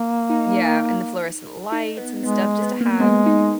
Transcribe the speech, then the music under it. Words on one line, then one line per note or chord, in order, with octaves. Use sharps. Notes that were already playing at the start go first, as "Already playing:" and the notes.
Yeah, and the fluorescent lights and stuff, just to have,
Already playing: A#3
D#4
D#4
B3
G#3 B3
B3
A#3
G#3 B3
D#4